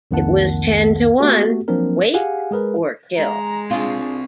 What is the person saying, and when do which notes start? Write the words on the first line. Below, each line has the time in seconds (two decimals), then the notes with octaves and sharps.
It was ten to one — wake or kill.
0.11 C2 F2 D#3 A#3 F#5 A5
1.19 A3 B3 F#4 G4 A4
1.68 F3 F#3 A#3 C4 D4 A#4
2.14 G4 G#4 F5 F#5 G#5
2.51 G#3 G#4 A#4 B4
3.18 G#3 A#5
3.71 C4 D4 F4 G#4 D5